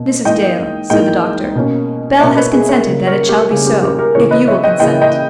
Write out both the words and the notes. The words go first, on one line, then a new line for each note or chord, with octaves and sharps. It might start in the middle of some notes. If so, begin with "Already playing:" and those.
"Mrs. Dale," said the doctor, "Bell has consented that it shall be so, if you will consent."
Already playing: B2 A#3
G#2 E3 A#3 D#4 D#5 G5
G#2 E3 A#3 D#4 D#5 G5
B2 A#3 C#4
B2 A#3 C#4 C#5 E5
B4 D#5
G#4 B4
A#4 C#5
C#3 G3 A#3
A#4 C#5
G4 A#4
C#3 G3 A#3 G#4
G4 A#4
G4 A#4
G4 A#4
C#3 E3 A#3 A#4 C#5
B4 D#5
C#5 E5
D#5 G5
C#3 E3 A#3 D#5 G5
D#5 G5